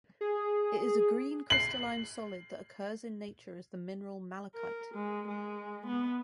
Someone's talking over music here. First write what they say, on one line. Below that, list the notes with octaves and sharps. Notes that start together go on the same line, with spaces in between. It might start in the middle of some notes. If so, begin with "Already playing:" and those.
It is a green crystalline solid that occurs in nature as the mineral malachite.
G#4
C7 F#7
A#4
G#3
G#3
B3